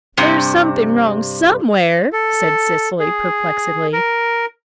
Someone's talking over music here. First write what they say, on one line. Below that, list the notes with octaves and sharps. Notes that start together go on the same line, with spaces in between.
"There's something wrong somewhere," said Cecily perplexedly.
G2 C3
A4
G#4
A#4